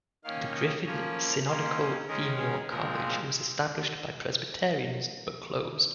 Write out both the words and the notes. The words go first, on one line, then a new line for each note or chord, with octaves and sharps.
The Griffin Synodical Female College was established by Presbyterians but closed.
D#3 A#3 C#4 F5
D#5
F3 A#3 C#4 C#5
D#3 A#3 C#4 C5
D#3 G#3 C#4 A#4
G#4
A#2 F3 G#3 C4 A#4